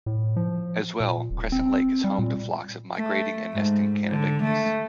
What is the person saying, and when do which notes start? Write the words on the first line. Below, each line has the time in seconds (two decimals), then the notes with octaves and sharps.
As well, Crescent Lake is home to flocks of migrating and nesting Canada geese.
0.06 A2
0.36 F3
1.00 A#2
1.30 D#1
1.52 C4
2.04 G3
2.19 A#2
2.95 A3
3.53 G#2
4.10 D3
4.43 A3